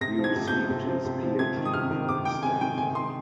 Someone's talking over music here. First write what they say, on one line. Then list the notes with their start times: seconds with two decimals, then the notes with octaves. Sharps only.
He received his Ph.D. from Stanford.
0.01 C3 A#6
0.19 F3
0.24 G#6
0.36 C3
0.48 G6
0.53 F3
0.70 C3
0.87 F3
1.05 C3
1.23 F3
1.39 C3 G#6
1.57 D#3
1.65 D#6
1.74 C3 F6
1.91 D#3
2.09 C3 D6
2.25 D#3 G5
2.43 C3 G#5
2.60 D#3 G5
2.78 C3 G#5
2.95 D#3 C6